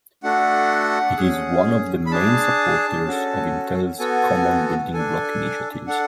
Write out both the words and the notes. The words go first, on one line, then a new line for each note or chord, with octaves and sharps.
It is one of the main supporters of Intel's Common Building Block initiatives.
A3 D4 F#4 A4 F#5
C#4 G#4
B5
D4 G#4 A5
C#4 F#4 A4
B3 F#4 A4 G#5
D4 A4 G#5
D4 A4 F#5